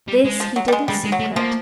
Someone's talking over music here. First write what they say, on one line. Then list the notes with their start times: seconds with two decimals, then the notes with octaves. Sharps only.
This he did in secret.
0.08 G3
0.25 G#3
0.40 F3
0.56 F#3
0.68 G3
0.72 G#3
0.88 G3 G#3
1.04 G#3
1.12 F#3
1.19 A3
1.36 F3 A#3